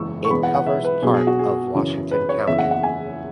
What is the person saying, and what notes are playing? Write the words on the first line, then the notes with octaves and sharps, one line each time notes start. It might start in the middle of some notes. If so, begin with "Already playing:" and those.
It covers part of Washington County.
Already playing: F#1 E2 E3 G#3 C#6 E6
C#6
E1 E2 E3 B3 B5
F#5
F#5
E5
B4
B1 B2 F#3 G#4
G#4
F#4
G#4
F#2 C#3 E3 C#4
B4
C#5
F#1 E2 C#3 E5
F#5
F#5
G#5